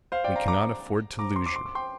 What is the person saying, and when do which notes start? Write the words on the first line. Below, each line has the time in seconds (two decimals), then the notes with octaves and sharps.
We cannot afford to lose you.
0.12 C5 F5
0.24 D5 G5
0.36 F5 A#5
0.48 A#5 D6
1.19 A#5 D6
1.36 C6
1.46 D6
1.56 C6
1.66 D6
1.75 G5 C6